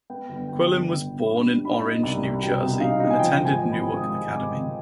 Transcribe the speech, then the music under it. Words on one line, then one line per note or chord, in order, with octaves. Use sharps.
Quillen was born in Orange, New Jersey, and attended Newark Academy.
B3 G5
G1
G1 G5
G1
B3 G5
G1
G2 B5
G2
D#4 B5
D#4
C2
C2
B2 G5
C2
D#4 F5
D#4
G#5
F3 G5
G#1
G#5
F3
B5
G#1
G#2 D#6
G#2
G#1 D6
G#1